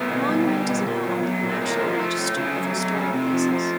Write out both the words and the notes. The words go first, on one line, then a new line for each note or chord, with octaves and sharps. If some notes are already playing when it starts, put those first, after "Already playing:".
The monument is now on the National Register of Historic Places.
Already playing: A2 A3 B3
B2
G3
G3
B2
A#2
F#3
F#3
A#2
A3
A2 G#3 A#3
F3
A#3
F3 A3
A2
C#3 A3
F#3
F#3
C#3
C3
F3
F3